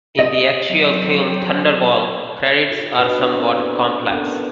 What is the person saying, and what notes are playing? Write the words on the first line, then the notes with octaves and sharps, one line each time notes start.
In the actual film "Thunderball", credits are somewhat complex.
D#5
F#3 C4
F4 G4
D4 F#4 G4 B4 D#5
B3 D4 E4 C5 C#5
B3 C4 A4
C4 D5
B3 C#4 D4 A4 A#4 F#5